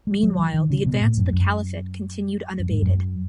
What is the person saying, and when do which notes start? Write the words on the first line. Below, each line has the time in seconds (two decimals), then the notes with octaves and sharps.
Meanwhile, the advance of the Caliphate continued unabated.
0.07 G#3
0.23 F#3
0.39 E3
0.54 D#3
0.70 C#3
0.86 B2
1.01 A2
1.17 F#2
1.33 F#2
2.59 F#2
2.70 G#2
2.82 F#2